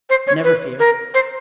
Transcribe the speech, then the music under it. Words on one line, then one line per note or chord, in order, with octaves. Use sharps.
"Never fear."
C5
C#5
B4
A#4
C5